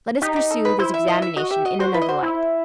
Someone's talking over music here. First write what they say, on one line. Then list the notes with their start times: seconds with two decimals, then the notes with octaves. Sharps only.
Let us pursue this examination in another light.
0.22 D#4 G4
0.36 G4
0.51 A4
0.65 B4
0.79 E4 C5
0.94 E5
1.08 D#5
1.22 E5
1.36 F#4 D#5
1.51 G4 E5
1.65 F#4 D#5
1.79 F#4 C5
1.94 E4 B4
2.02 D#5
2.09 F#4 C5
2.23 E4